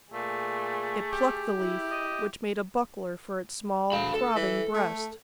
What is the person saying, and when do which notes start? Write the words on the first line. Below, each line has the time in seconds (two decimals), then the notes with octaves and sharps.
It plucked the leaf, which made a buckler for its small throbbing breast.
0.13 A#2 A3 G#4
1.13 G4
1.60 E4
1.91 D#5
3.92 D2 F5 B5
4.14 A4
4.36 E3
4.74 A3